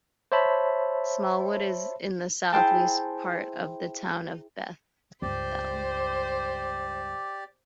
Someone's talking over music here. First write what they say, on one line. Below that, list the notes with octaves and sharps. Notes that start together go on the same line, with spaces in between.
Smallwood is in the southeast part of the Town of Bethel.
C5 C#5 E5 A5 B5
E4 G#4 C5 G5 A5
C#2 G2 G4 C5 D5